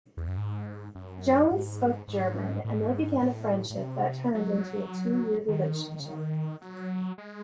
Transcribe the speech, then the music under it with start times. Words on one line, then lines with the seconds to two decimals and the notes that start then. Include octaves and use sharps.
Jones spoke German and they began a friendship that turned into two-year relationship.
0.17 E2
0.28 F#2
0.37 G#2
0.95 F#2
1.51 G#2
2.08 G#2
2.65 A2
2.79 G#2
3.21 A2
3.70 A2
3.78 C3
4.35 F#3
5.48 D#3
6.00 C#3
6.05 D#3
6.61 F#3
7.18 G#3